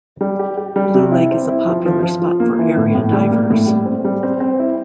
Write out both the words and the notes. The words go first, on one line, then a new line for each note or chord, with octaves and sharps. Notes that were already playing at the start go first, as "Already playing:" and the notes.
Blue Lake is a popular spot for area divers.
G3
G4
G4
G3
C3
E4
C4
E4
F3
F3
F3
F4
A#3
E3
A2
A2
G3
A#3
A2
G3
C4
G3
C4
C4
E4